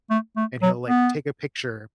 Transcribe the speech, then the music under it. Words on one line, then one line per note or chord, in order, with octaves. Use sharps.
and he'll, like, take a picture,
A3
A3
F#3
B3